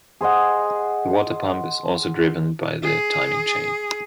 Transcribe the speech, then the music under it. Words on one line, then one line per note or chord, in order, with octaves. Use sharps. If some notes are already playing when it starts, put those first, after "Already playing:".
The water pump is also driven by the timing chain.
G#4 C5 D#5 F#5
G#4